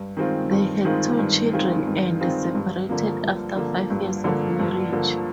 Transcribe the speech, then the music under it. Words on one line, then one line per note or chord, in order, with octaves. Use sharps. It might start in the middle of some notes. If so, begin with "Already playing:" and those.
They had two children and separated after five years of marriage.
Already playing: G2
D#3 G#3 C4 F4
G2
D#3 G#3 C4 F4
G2
D#3 G#3 C4 F4
G2
D#3 G#3 C4 F4
G2
D3 F3 A#3
G2
D3 F3 A#3
G2
D3 F3 A#3
G2
D3 F3 A#3